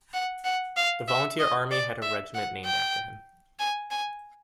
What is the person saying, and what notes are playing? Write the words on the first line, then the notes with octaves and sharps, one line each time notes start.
The Volunteer Army had a regiment named after him.
F#5
F#5
F5
E5
D#5
D5
E5
F#5
G5
G#5
G#5